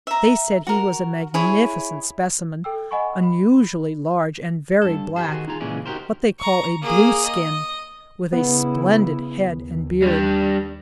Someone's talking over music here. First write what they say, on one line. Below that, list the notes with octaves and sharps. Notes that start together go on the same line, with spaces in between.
They said he was a magnificent specimen--unusually large, and very black--what they call a blue skin--with a splendid head and beard.
E5 A#5
F#4 A#4
E4 G#4 C#5
A4 G5 E6
D#5 F#5 G#5 B5 C#6
B5
G2 A4
G4 A4 C5
D#3 F#4 G#4
D#4 F4 G#4 A#5
A#2 C#3 E3 G#3 C#4 D5
D#4 F#4 G4 A#4 C5
A#5 C#6
A#3 G#4
D#5
C#3 B3 E4
D#2
G3 D4